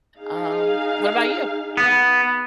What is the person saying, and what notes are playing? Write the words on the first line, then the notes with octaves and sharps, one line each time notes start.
Um, what about you?
D#4 G#4 F5
B3